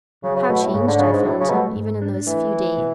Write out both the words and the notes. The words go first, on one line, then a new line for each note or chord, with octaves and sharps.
How changed I found him, even in those few days!
C#3 F#3
C#3
B2 A3
A2
G#2 C#3
D3
C#3 D4
G#2
A2 F#3
C#3
B2 A3
G#2
D4
E3 A3
E4
B2